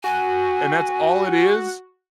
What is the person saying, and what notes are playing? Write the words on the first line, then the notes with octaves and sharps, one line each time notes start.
and that's all it is.
F#4 G#5